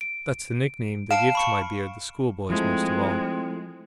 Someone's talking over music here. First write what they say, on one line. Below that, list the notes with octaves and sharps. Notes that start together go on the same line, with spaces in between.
That's the nickname they give to my beard, the schoolboys most of all.
D7
F5 A5 D7 E7
B5 C#6 C#7
F3 G#3 A3 C4 E4 A4